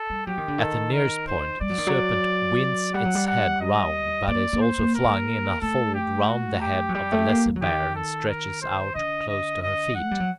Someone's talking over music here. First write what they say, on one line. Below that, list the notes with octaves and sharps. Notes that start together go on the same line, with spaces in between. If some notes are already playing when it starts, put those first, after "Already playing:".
At the nearest point, the Serpent winds its head round, but is also flung in a fold round the head of the Lesser Bear, and stretches out close to her feet.
Already playing: A4
G3
F#3 G4
D#3
D3
D#3 A4
A#4
C5
G3 D5
F#3
D#3
F#3
G3 F#5
F#3
G3
F#5
D#5
A#3 D5
A#3
C5
A#3
A#4
A#3
A3 A4
G4
F#4
G4
F#3
G3 G4
A3
A#3
G3
F#3
D#3 G4
A4
A#4
C5
D3 D#5
D#5
D#5
F#5
A3
G3
F#3